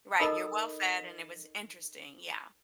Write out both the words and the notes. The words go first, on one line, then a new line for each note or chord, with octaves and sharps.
Right, you're well fed, and it was interesting. Yeah.
D#4 A4 A#4 D#5 B5 D#6